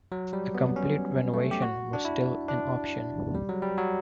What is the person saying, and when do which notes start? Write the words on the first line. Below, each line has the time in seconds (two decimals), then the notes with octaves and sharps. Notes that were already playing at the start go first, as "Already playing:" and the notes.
A complete renovation was still an option.
0.12 F#3
0.33 G3
0.55 B3
0.76 C#4
1.34 A3
1.51 G4
1.62 F#4
1.93 D4
2.05 E4
2.49 D4
3.35 G3
3.49 F#3
3.62 G3
3.78 F#3